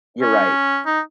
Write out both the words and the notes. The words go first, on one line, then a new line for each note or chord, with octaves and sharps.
You're right.
C#4
D#4